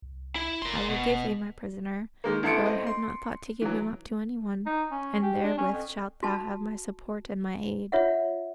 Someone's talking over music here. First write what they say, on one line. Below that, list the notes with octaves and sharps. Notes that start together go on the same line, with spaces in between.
"I will give thee my prisoner, though I had not thought to give him up to any one; and therewith shalt thou have my support and my aid."
C2
E4
F1 A#4 C6
B2
D#3 G#3 A#3
A1 E4 A4 C6 C#7 D7
C4 D#5
C6
E3 F#3
D#4
C#4
G4
D4
C#4
F2
F#4 A5
F4 C#5 E5 F#5